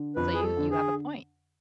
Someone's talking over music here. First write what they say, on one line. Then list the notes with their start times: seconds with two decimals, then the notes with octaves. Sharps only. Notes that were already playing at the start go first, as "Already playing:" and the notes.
So, you you have a point.
Already playing: D3
0.16 F2 B4
0.34 G#4
0.43 A4
0.57 D3
0.71 G#4